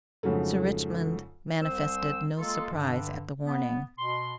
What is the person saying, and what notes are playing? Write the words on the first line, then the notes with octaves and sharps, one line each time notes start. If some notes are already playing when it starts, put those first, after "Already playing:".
Sir Richmond manifested no surprise at the warning.
F2 G#2 C#3 F#3 A3
C2 C4 C5 E6
G#3 A#3 F4 A4
G2 D3
B3
B2 C6